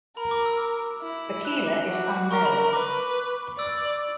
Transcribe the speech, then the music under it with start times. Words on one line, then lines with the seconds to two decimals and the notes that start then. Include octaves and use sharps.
Bachiler is unknown.
0.17 A#4 B5
0.31 D6
0.46 E6
1.03 E4
1.45 F#6
1.66 D6
1.88 F#4
2.31 A#4 C#6
2.45 B5
2.60 C#6
2.73 B4 D6
3.58 D5 E6